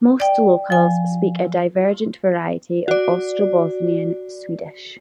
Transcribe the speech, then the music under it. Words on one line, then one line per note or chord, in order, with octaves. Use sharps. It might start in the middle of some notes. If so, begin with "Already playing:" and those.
Most locals speak a divergent variety of Ostrobothnian Swedish.
D5 G5
F3 G#5
F#4 D5